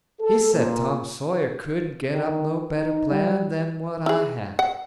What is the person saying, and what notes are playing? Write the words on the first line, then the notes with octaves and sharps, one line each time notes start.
He said Tom Sawyer couldn't get up no better plan than what I had.
A4
A#2
D#3
D#4
G3
E4 G#4
F#5